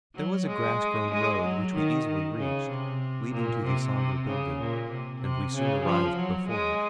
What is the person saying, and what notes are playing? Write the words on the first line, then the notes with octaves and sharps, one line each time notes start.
There was a grass-grown road, which we easily reached, leading to the sombre building, and we soon arrived before it.
F#3
G#3
G#3
F#3
D#3
D#3
C#3
C3
A#2
C3
C3
C#3
A#2
C3
C3
C#3
F3
F#3
G#3